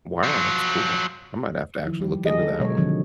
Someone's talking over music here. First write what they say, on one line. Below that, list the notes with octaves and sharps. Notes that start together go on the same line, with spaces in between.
Wow, that's cool. I might have to actually look into that one.
F3 F#3
D#3 F3 E4
G3 G4
E3 G4 G#4 D#5
D3 A4
B2 F#3 G#3 B3 C#5
D3 D#3 F3 F#3 C4